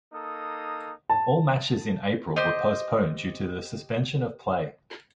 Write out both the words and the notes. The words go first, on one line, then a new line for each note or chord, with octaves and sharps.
All matches in April were postponed due to the suspension of play.
A#3 D#4 A4 D#6
A5
G4 C5 D#5